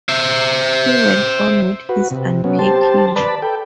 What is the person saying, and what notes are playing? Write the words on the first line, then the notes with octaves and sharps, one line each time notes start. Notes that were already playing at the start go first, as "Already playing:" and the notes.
He went on with his unpacking.
C5 E5
F#4 B4
C3
F#3 B3 C#4
G4 C5 A5
B4 D5 A5 B5
A4 G5